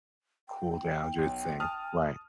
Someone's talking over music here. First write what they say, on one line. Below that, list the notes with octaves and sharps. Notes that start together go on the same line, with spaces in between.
Cool down, just seeing Right.
G5
B1
A5 D#6 F6